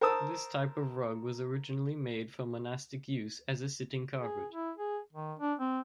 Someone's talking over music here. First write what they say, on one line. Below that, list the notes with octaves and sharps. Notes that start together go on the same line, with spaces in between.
This type of rug was originally made for monastic use as a sitting carpet.
A#4 C5 A5 D#6 E6
G#4
E4
G#4
D#3
D4
C4